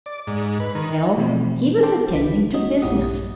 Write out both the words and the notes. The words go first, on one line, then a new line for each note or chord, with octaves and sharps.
Well, he was attending to business.
D5
G#2
B4
D#3
B2 E3 F3 A3 C4
A4 C5 G5 A5 C6 D6
C2 F4 B4 B6
C#4 D#4 F#4 D#5
A#1 G2 E4 G4 F#5 D#6